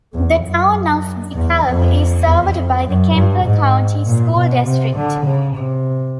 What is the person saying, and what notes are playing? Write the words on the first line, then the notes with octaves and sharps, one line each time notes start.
The Town of De Kalb is served by the Kemper County School District.
E2
F#2
E2
F2
E2
F2
F#2
G2
G#2
A#2
B2
C3
D3
C#3
C3